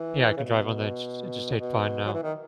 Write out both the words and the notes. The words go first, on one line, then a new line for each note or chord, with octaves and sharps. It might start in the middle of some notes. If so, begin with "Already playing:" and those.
Yeah, I can drive on the insters interstate fine now.
Already playing: E3
C#3
B2
B2
F#3
E3
D#3